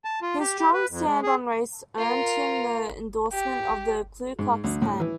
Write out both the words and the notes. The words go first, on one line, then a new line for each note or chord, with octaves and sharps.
His strong stand on race earned him the endorsement of the Ku Klux Klan.
A5
F4
G4
G4
B4
F2
G#3
G#4
F4 A#4
G4
G#2
D2
A2
E3